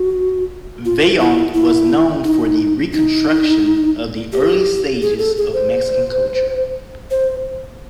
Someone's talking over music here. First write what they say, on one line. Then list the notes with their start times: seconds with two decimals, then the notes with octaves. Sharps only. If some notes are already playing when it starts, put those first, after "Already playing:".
Vaillant was known for the reconstruction of the early stages of Mexican Culture.
Already playing: F#4
0.85 F4
1.20 E4
1.54 E4
2.24 D#4
2.93 D#4
4.32 G4
5.02 G#4
5.19 A4
5.37 G#4
5.53 C5
7.11 C5